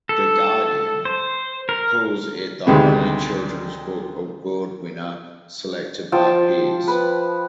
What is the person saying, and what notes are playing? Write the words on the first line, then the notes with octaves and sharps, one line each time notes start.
"The Guardian" calls it the only children's book award winner selected by peers.
A4
C5
A#4
D2 C3 D#3 G#3 B3
F3 G5 A5
B4